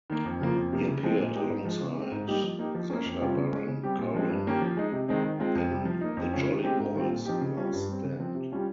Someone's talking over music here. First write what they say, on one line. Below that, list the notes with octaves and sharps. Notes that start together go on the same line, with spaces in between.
He appeared alongside Sacha Baron Cohen in "The Jolly Boys' Last Stand".
D#3 A#3
F2
C#3 F3 A#3 F4
F2
C3 F3 A#3
C#3
F3 G#3 C4
A#2
G#3 D#4 G4
G#2
F3 G#3
C#3
G#3 C4
G#2
G3 A#3 D#4 G4
F3
A#3 D#4 G4
F3
A#3 C#4
F2
C3 G3 C#4 F4
C#3
G#3 C#4
C#3
G3 C4 G4
A#2
F3 G#3 C4
G2
D#3 A#3 C#4 G4
F3
G#3 D#4
C3
D#3 G#3 C4 D#4
D#3
G#3 C4 F4
F2
C3 G3
F3
A#3 D#4
F2
C#3 G#3 C#4 F4
D#3
G#3 C4 G4
G#2
D#3 G3 C4 F4
A#2
F3 C4 D#4 G4
C#3
G3 C#4 F4
G2
G3 C4
C#3
F3 C4
C3
G3 C#4 F4